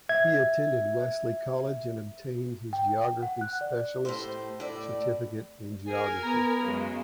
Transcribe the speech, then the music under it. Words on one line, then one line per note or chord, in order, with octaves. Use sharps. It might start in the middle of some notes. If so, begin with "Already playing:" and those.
He attended Wesley College and obtained his Geography Specialist Certificate in Geography.
E5 G#6
G5
F#5
F#6
D5
A2 G4 C5
A2 D5
G#4 A#4 G#5
B3 A#5
F#2 C#3 G#3